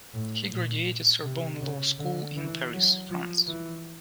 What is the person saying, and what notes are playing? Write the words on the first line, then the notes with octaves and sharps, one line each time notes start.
He graduated Sorbonne Law School in Paris, France.
A2
A#2
C3
C#3
D3
E3
F#3
F3
E3